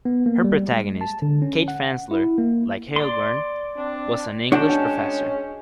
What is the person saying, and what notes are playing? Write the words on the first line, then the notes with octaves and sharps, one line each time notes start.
Her protagonist Kate Fansler, like Heilbrun, was an English professor.
B3
A#3
G3
G#3
A5
D3
C#4
F#5
E4
A#3
D5 C6
C4 D4
G#3 C#4 D4 F#4 C#5 F#5 G5 A5